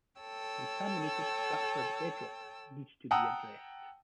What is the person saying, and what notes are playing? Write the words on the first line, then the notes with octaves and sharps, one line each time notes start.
Contaminated fractured bedrock needs to be addressed.
A4 C#5 G5 E6
F#5 G5 A5 A#5 D#6 E6